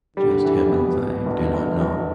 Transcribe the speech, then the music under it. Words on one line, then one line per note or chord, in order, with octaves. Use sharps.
Just Heavens, I do not know.
D3 G3
E3
B2 B3
G3
G1
G1
G1